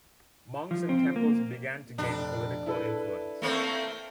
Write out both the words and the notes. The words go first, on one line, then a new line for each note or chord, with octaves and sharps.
Monks and temples began to gain political influence.
F3
C4
A#3
F1 D4
E4 A4 B4
A3 A#3 C4